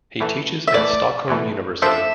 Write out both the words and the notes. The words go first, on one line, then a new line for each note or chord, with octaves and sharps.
He teaches at Stockholm University.
E2 E3 A3
E5
E2 E3 A3 D5
E2 E3 A3
F3 A3 D4 A4 C5 E5